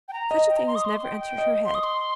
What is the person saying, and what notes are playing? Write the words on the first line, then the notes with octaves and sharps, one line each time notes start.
Such a thing has never entered her head.'
G5
A#5
D#5
G5
A#5
C6
D#6
C6
G5
G5
D#5
C6
D#6
C6